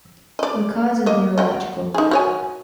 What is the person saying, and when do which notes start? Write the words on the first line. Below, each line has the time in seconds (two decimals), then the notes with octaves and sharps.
The cause is neurological.
0.39 D5 D#5
1.06 A#3 D#5
1.38 D#5 F#5 G5
1.94 D#4 G#4
2.11 F#4 C#5 G#5